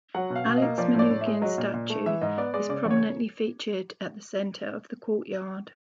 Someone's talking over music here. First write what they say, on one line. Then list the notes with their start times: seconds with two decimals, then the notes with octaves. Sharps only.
Alex Manoogian's statue is prominently featured at the centre of the courtyard.
0.14 F#3 F#5
0.30 B2
0.36 F5
0.46 B2
0.57 A#3 D#5
0.78 F3 D5
0.94 A2 D5
1.10 A2
1.21 E5
1.26 G#3
1.42 F#3 D#5
1.58 A#2
1.74 A#2
1.90 A3
2.06 E3 E5
2.22 G#2 D#5
2.37 B3 D5
2.54 G#3 D5
2.69 C#3 D5
2.85 E2
2.91 C#5